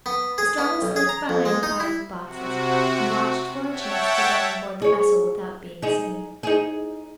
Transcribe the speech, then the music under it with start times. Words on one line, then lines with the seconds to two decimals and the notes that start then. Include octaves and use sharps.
Estralla slipped behind a pile of boxes, and watched for a chance to get on board the vessel without being seen.
0.06 B3
0.38 G#4
0.58 B3
0.82 B1
0.96 G#4
1.09 A#5
1.29 F2
1.45 G#3
1.63 D#4
1.80 E4
2.22 C3 F#4
3.68 C#5 E5 F#5 G5 A5
4.82 G#4 C#5
5.82 D#4 G#4
6.43 D#4 G#4